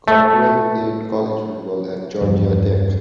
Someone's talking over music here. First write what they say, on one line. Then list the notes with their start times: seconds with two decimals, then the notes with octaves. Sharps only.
Cottrell played college football at Georgia Tech.
0.08 A3
2.21 E2 G2 F3 G3